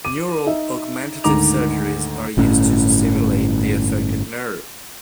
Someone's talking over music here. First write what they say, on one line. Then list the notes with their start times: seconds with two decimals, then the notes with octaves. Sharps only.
Neural augmentative surgeries are used to stimulate the affected nerve.
0.05 D6 D#7
0.47 D#4 E5
1.24 D2 G#2 D#3 A#5 D6 F7
2.37 G1 A2 C#4